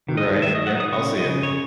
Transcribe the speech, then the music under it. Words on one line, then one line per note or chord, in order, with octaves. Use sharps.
Right, yep, I'll see ya.
D#3
D#5
D#3
A3 E5
F#3 D#5
F#5
D#4 D#6
D#6
C#3 C#6
B3
D#5
C#3
C#3 C#5